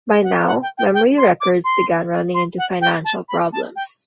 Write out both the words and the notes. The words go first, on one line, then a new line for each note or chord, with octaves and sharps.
By now, Memory Records began running into financial problems.
F#5
F#5
G5
G5
G5
C6
D6
C6
C6
F#5
G5
A5
B5
A5
G5